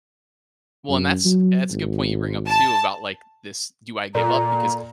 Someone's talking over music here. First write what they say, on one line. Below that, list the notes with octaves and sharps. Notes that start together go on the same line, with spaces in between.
Well, and that's that's a good point you bring up, too, about like this "Do I give up?" Because
F#2
F#3
G#1
A5
A#2 A4 D5 A#5